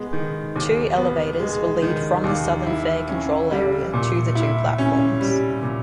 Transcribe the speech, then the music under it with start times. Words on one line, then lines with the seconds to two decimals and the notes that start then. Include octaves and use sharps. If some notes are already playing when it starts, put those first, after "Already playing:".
Two elevators will lead from the southern fare control area to the two platforms.
Already playing: G#3 B3
0.13 D#3
0.56 D#2
0.97 B3
1.40 G#3
1.82 D#3
2.24 D#2
2.67 E4
3.09 C#4
3.51 G3
3.93 A#2
4.35 E4
4.78 C#4
5.21 G3
5.63 A#2